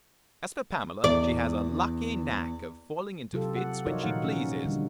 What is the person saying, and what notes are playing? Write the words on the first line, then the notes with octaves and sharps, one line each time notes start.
As for Pamela, she has a lucky knack of falling into fits, when she pleases.
E2 D5
C3 F#3 F4 G4 A4
F#5
D#4 F4 F#4 A#4 C#5 D5
A#2 D#3 F3 D#4 F5 F#5
C#4
D3 G3 C#4 D4